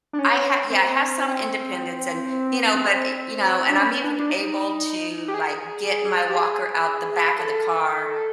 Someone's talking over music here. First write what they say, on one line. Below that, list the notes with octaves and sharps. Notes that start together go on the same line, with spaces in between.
I ha yeah, I have some independence and, you know, but e you know, and I'm even able to, like, get my walker out the back of the car
D4
C#4
C4
C4
D4
C#4
D4
D4
D#4
G4
G#4
G4
G#4
A4